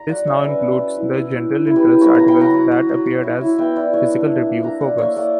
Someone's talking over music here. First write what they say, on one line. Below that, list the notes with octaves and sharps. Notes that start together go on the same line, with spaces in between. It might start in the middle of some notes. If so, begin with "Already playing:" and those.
This now includes the general-interest articles that appeared as "Physical Review Focus".
Already playing: A#5
F#3 D5 F#5
F#3 C#5 E5
C#4 B4 D5
F#3
F#3
E4
E4
F#3
C#4
E4
G4 B4
F#3
B3 A#4 C#5
F#3 F#5 A#5
G5 B5
F#3 F#5 A#5
F#3
F#3
F#3
F#3
E4
E4
B3 E5 G5
E4 D5 F#5
F#3 C#5 E5
D4
D4
A#3
D4 F#5 A#5
A#3 D5 F#5
A#3 C#5 E5
A#3 D5 F#5